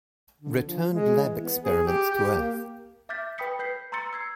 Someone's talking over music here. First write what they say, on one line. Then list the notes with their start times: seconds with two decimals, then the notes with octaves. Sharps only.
Returned lab experiments to earth.
0.40 D3
0.66 F3
0.89 G#3
1.22 E3
1.42 B3
1.63 G#4
1.85 G4
2.11 G4
2.35 A#3
3.09 E5 D6 F6 G6 A6 B6
3.38 B4 G5 B5 D#6 B6 C#7
3.59 B4 G6 B6 C7
3.92 A#5 C6 E6 A6 C#7
4.13 E6 G#6 C7